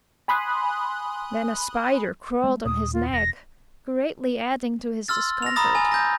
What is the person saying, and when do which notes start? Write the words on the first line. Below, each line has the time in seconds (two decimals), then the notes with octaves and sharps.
Then a spider crawled on his neck, greatly adding to his discomfort.
0.28 G#5 B5 C6 D#6 F#6
2.44 G#3 A3 B3
2.65 D#2 A#2 D#6
2.93 F4
3.13 E1 A#6
5.08 C6 E6 F6 A6
5.42 A#6 F7
5.56 A#5 B5 D#6 A6
5.75 G#5
5.92 G6 A#6